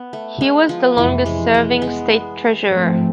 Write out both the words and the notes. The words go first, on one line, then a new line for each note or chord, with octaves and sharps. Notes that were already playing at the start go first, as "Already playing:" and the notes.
He was the longest-serving state treasurer.
Already playing: B3
A3
G#3
F3
F1 F2 C3 E3
G#3
G#3
G#3 B3
G#2 F3 A3 C4